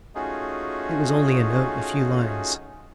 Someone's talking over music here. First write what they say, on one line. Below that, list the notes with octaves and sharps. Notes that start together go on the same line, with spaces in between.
It was only a note, a few lines.
A3 C#4 D#4 F4 F#4 G#4